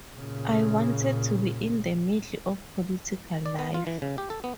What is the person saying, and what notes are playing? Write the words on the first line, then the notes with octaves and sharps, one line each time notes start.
I wanted to be in the middle of political life.
A#2 C#3
D5
B3
F4
E3
C#3
G4
A4
B3